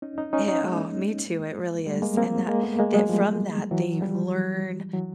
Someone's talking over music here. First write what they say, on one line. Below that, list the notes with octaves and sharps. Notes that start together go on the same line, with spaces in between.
it oh, me too it really is, and that that from that, they learn
C#4 D#4
C#4 D#4
C#4 D#4
C#4 D#4
G#3 A#3
G3 A3
G#3 A#3
A#3 C4
G#3 A#3
A3 B3
G#3 A#3
F#3 G#3
F3 G3
E3 F#3
F3 G3
E3 F#3